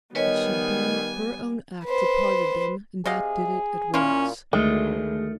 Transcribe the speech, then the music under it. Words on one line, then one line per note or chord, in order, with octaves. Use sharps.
It should be her own act that parted them, and that did it at once.
D#3 G3 B3 B4 C#5 D#5 G#5
B4 C5
C3 G#4 D#5 F5
A#2 A#3 C#4 E4 F4
D2 D#3 G#3 A3